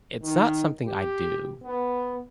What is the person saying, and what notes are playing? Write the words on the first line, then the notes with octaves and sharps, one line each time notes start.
it's not something I do
D#3
G4
B3